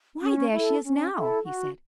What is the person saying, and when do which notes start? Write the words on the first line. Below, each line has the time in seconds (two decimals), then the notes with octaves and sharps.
"Why, there she is now!" he said.
0.22 C#4
0.52 E4 A4
0.83 C#4
1.13 E4 A4
1.44 F#4